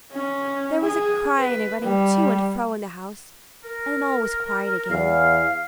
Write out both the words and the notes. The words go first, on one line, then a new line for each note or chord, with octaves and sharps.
There was a cry and a running to and fro in the house, and then all was quiet again.
C#4
G#4
B4
G3
A#4
E2 F5